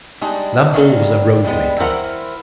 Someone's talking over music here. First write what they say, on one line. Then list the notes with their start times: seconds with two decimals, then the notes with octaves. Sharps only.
Lambole was a roadmaker.
0.21 G3 G#3 D4 D#4
0.73 D3 D#3 G3 A#3
1.44 G3 G#3 B3
1.80 E3 E4 A#4 C5 F#5